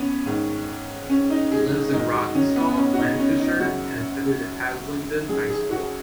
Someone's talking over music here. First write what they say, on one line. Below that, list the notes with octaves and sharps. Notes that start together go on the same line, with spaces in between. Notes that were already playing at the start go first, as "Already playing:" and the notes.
He lives in Rawtenstall, Lancashire, and attended Haslingden High School.
Already playing: B3 C#4
G#2 D#3
C#4
D#4
G#4
G#2 D#3 D#4
F#4
C#4
B3
B3
C#4
F#4
D#4
C#4
D#4
F#2 C#3 F#4
F#2 D#3 G#4
G#4
F#4